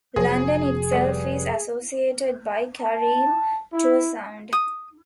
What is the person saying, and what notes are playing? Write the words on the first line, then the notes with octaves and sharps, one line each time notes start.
London itself is associated by Karim to a sound.
F1 F3 F#3 G#4
G3 A3 B3
A5
E4
D#6